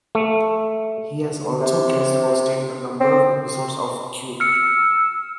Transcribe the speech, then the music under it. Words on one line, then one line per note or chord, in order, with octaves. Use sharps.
He has also guest hosted a number of episodes of "Q".
A3
C3
C4
E6 F6 C#7